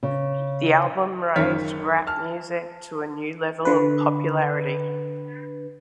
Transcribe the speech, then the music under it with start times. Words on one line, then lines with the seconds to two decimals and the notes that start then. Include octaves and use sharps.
The album raised rap music to a new level of popularity.
0.03 C#3
1.36 F#1 D#3 A#4 C#5 F6 B6
2.07 A5 F6
3.65 D3 B4